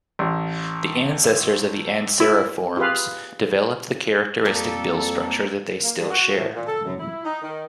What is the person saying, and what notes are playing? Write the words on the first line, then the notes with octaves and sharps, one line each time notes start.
The ancestors of the Anseriformes developed the characteristic bill structure that they still share.
A1
E4
F4 G4 G#4 B4 F5
F2 G3 A#3 A4
A#3
G2
F#4
A2
A#2
A4
F#2
E4
D#4
D#3